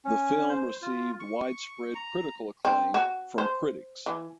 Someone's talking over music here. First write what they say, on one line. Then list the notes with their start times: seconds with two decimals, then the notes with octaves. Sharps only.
The film received widespread critical acclaim from critics.
0.05 C#4
0.49 C5
0.82 F4
1.20 C#6
1.95 A#5
2.65 C4
2.94 F#4
3.38 C5
4.06 E3